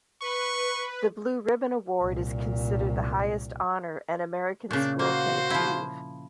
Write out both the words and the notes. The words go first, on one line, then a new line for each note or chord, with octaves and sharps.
The Blue Ribbon award is considered the highest honor an American school can achieve.
B4 C#6
C2 A#2
A#2 C#3 D4
A#3 F#4 C5 F5
F3 E4